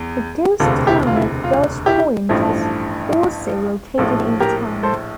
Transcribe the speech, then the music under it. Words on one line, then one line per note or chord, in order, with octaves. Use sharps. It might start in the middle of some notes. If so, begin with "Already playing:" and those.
The ghost town of Welch Point was also located in the town.
Already playing: E2
E1 D2 C3 F4 A4
E4 G4
F4
E4
F4
E4 G4
A1 G2 F3 A3 E4
A#1 A2 F3 F4 A4
G4 A#4
A4 C5